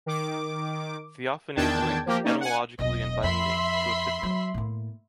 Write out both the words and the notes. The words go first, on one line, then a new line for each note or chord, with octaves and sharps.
Theophany is linked, etymologically and by meaning, to epiphany.
D#3 D6
E2 D#3 D4 G5 A5 G#6
F3 A#3 G4 A#4
A#3 C#4 D#4 D5
F#5 G#5
E1 B1 D#5
F2 E5 B5 C6
F#3
A2 A#3